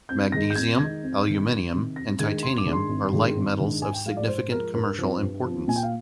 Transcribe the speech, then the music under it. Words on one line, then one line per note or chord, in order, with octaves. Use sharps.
Magnesium, aluminium and titanium are light metals of significant commercial importance.
F2 G6
D#3 G#3 D#4 A#6
G6
F2 G#6
D#3 G#3 D#4 G#6
F2
C3 D#3
F2
C3 D#3
F2 A#6
D#3 G#3 D4 G#6
F2 C6
D6
D#3 G#3 D4
C6
G#1
G#2 D#3 G#3 D4
G#1
G#2 D#3 G#3 D4
G#2 G#5
G5
F3 G#3 F5
D5
G#2 C5
F3 G#3 A#4
G2 A#4
F3 C4
G2
F3 C4
A#2 G#5
G5
F5